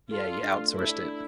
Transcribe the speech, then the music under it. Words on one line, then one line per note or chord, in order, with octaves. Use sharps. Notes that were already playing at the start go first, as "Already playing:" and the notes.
Yeah, you outsourced it.
F4 A4
D5
D4
A3
E4 A4
D5
D4